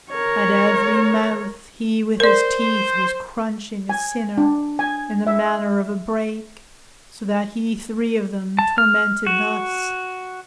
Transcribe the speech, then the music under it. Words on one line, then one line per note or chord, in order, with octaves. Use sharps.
At every mouth he with his teeth was crunching A sinner, in the manner of a brake, So that he three of them tormented thus.
A#4 C#5
A#4 C5 D5
G#5
D4
G#5
E5
A5
F6
F#4